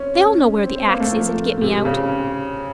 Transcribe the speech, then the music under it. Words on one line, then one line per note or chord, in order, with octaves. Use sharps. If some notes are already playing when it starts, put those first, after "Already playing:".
They'll know where the axe is and get me out.
Already playing: C4 C#4
C#4
C4
C4
A#3
A3
F3
C3
C#3